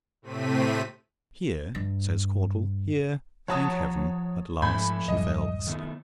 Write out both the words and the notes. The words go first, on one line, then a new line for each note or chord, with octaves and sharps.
"And here," says Caudle--"Here, thank Heaven! at last she fell asleep."
A2 C3 A3 C4 B6 D#7
G2
F3 C#5 F#5 A5 A#5 D#6
G#2 F3 A3 G#5 B5 G6
D1 F#2 G3 D#5
D#3 A3 B3